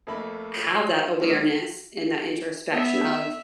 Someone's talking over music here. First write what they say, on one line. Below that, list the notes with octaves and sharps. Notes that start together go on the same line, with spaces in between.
have that awareness and that introspection of,
F2 A3 A#3 B5
C#6 E6 A#6 C7 D7
D3 F#3 G#3 A#3 C#4 F4
B3 E5